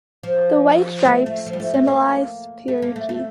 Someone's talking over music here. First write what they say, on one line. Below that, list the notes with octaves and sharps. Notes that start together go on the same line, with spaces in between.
The white stripes symbolize purity.
F3
A3
A3
F3
G3
A3
A3
A#3
A3
A#3
A3
A3